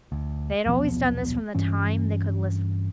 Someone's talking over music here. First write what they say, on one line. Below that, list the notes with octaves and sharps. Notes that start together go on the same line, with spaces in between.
They had always done this from the time they could lisp...
D2
D#1 B1 F3 B3
G2 E3 C#4